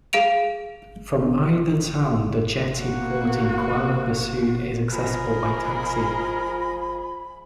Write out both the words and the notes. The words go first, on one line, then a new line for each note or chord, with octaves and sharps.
From either town, the jetty port in Kuala Besut is accessible by taxi.
G#4 F5 D7 F7
A#3 F#4
F3 F4 G#4 A#4 D#5 B5